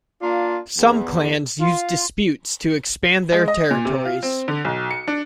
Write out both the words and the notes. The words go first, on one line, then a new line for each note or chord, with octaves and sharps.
Some clans used disputes to expand their territories.
A#3 D4 F4
E2
F4
G#3
D#5
A#2
C3
F4
C4
D3
B1
C#7
D4